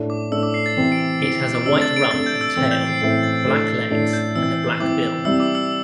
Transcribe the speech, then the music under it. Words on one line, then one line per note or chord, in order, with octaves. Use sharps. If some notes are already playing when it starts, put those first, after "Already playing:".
It has a white rump and tail, black legs and a black bill.
Already playing: A2 A3 D4
D6
A2 A3 D4 E6
D6
C7
A6
C3 E3 C4 C7
D7
C3 E3 C4 D7
D6
C3 A3 D4 E6
A6
D7
C3 A3 D4 A6
G6
E6
A2 E3 C4 E4 E6
G6
C7
A2 E3 C4 E4 C7
A6
A2 A3 D4
A2 A3 D4 C7
G6
E3 C4 E4 E6
E3 C4 E4 D6
C3 G3 E4 E6
D6
E6